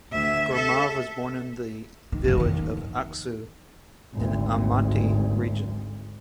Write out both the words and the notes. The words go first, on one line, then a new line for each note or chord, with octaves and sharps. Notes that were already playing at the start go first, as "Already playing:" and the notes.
Gromov was born in the village of Aksu in Almaty Region.
D2 E5
A4 E5
D#3
F#1 C#3
D#2 D#3
D#3
G#1 D2